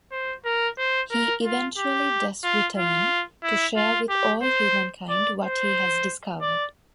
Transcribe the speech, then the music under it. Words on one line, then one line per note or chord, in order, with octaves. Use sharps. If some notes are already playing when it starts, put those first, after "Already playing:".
He eventually does return, to share with all humankind what he has discovered.
C5
A#4
C5
A#4
F4
G4
F4
F4
E4
F4
G4
C5
D5
C5
D5